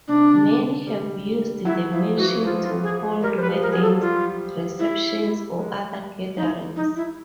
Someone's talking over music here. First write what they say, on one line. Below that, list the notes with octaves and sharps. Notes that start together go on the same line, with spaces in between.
Many have used the mansion to hold weddings, receptions, or other gatherings.
C3 D4
D3
G3
F#3 E4
F3 E4
E3 F#4
F3 F4
E4
F4
G#4
G3 A#4
C5
B4
F3
A#4
F#3 G#4
A4
G3 F4
E4
G#3
D#4
D#4
E4